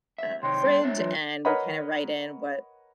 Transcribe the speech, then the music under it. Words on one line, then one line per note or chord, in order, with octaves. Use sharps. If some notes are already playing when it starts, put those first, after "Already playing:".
uh, fridge, and we kinda write in what
E5
C3 D#3 D#4 C#5 G5 C6
G2 A4
D4 C#5 E5
E3 F#3 F4
A#4 B4 C#5 D#5 F#5 B5